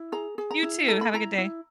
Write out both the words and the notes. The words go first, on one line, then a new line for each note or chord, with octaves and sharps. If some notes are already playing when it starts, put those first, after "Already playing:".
You too, have a good day.
Already playing: E4
G#4 A#5
G#4
A#5
E4
A4 A#5
B5
E4 A#5
E4